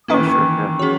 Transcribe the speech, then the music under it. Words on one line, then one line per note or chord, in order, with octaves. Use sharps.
Oh, sure, yeah.
D#3 A#3 C#4 E4 B4
E3
D#3
F#3 C#4 G#4 C#5